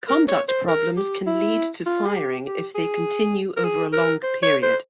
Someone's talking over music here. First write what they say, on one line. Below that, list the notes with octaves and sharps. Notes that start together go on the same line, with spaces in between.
Conduct problems can lead to firing if they continue over a long period.
A#4
C#5
C5
A#4
G4
E4
F4
G#4
G4
G4
G#4
A#4
G#4
A#4
C5
C#5
C5